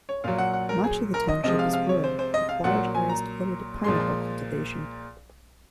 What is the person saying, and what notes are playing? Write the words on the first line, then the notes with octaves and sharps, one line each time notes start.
Much of the township is rural, with large areas devoted to pineapple cultivation.
C#5
A#2 F#3 F5
F#5
F#5
A#4
G#4
A#4
D#5
C3 F3 G#3 D#5
F5
F5
C#5
C5
C5
D#5
F5
A#2 F#3 F#5
G#5
A#5
A#2 F3 G#3 C6
C6